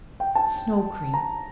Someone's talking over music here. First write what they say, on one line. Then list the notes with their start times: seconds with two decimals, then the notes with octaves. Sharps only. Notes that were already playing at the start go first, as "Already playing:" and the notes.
Snow Cream.
0.20 G5
0.35 A5
1.14 A#5